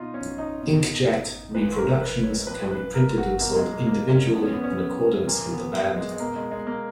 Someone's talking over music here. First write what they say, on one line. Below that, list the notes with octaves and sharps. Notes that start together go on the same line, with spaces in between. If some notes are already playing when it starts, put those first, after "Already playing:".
Inkjet reproductions can be printed and sold individually in accordance with demand.
Already playing: B2 D#4 F4
C#4
D#4
B2
A#2 F3 B4
A#4
B4
C#5
A#2 F3 B4
B4
A#4
F#4
B2 A#3
G#3
A#3
A#3
C#4
A#2 F3 B3
C#4
B3
C#4
B3
A#2 F3 A#3
B3
G#3
G#3
B2 A#3
G#3
G#3
A#3